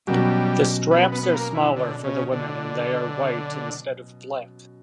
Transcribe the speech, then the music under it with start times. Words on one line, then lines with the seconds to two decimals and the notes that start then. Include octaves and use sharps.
The straps are smaller for the women and they are white instead of black.
0.07 B2 F#3 G3 C#4 F#4
0.91 B3
1.12 B3
1.23 B3
1.34 A#3
1.55 E3
1.76 D3
2.04 C#3
2.32 D3